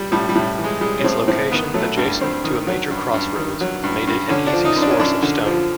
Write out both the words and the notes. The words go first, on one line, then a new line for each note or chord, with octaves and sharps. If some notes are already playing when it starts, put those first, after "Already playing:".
Its location adjacent to a major crossroads made it an easy source of stone.
Already playing: G3
A2 G3
G3
A2
E3
G#3
G3 G#3
C#4
A2 C4
A2 C4
D#3 B3
F#3 A3
G2
G2 C4
D#3
F#3
G2
G2
D#3
F#3
G2
G2
D3 C#4
D4
F3
D#4
F#2
D4
C#4
F#2 D4
D3
F3